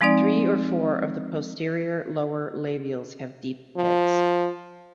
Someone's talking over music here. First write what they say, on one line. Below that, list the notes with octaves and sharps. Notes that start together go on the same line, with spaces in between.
Three or four of the posterior lower labials have deep pits.
F3 G#3 C4 D#4 D5
F3